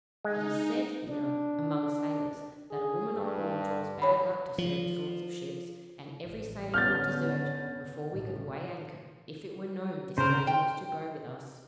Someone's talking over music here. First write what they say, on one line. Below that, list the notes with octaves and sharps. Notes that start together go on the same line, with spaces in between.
It is said, you know, among sailors, that a woman on board draws bad luck to certain sorts of ships, and every sailor would desert, before we could weigh anchor, if it were known this lady was to go with us.
G#3 D#4
D4
G#4
G2
C#5 B5
F3
A1
D3 B3 C#4 F6 G6 A6
A1 A2 C#3
C#3 A#4 C5
G5